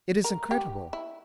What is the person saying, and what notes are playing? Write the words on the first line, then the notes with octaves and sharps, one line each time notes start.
It is incredible!
A#4
G4
E4